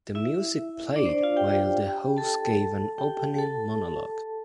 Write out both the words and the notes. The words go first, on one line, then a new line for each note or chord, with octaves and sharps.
The music played while the host gave an opening monologue.
E4 E5
D4 D5
C5
D4 D5
F4 F5
G4 G5
A4 A5
G4 G5
A4 A5